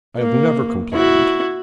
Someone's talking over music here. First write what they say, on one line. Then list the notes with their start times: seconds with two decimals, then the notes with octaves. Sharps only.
I have never complained.'
0.18 A#3
0.93 E4 F#4